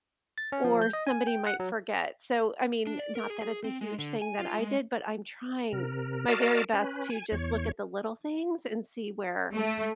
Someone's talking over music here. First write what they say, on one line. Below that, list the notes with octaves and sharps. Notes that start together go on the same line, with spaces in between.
or somebody might forget, so, I mean, not that it's a huge thing that I did, but I'm trying my very best to just look at the little things and see where
A6
C#4
F3
G6
D#5
G#5
G5
F#5
F#3
D4
D5
A#4
G#4
G#4
C4
G#3
D3
G#5
F4
G#3
C3 A#4
F#4 A#4 D5 D#5 F5 A5
C#4 B4
G#5
E2 C#5
A3